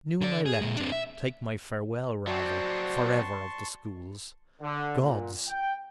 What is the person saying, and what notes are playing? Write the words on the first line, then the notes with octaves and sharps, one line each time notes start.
At noon I lecture.... take my farewell, rather, for ever of the schools....Gods!
D3 D5
G#4
A#2 G#3
C4 D4
E5
F#3 C4 F#4 D5 A5 C6 C#6
D3
A#2
G5